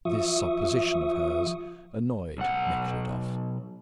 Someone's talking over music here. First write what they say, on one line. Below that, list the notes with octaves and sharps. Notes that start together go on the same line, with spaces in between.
This supposition of hers annoyed Nekhludoff.
F3 F4 E5 C#6 D#6
B1 F#5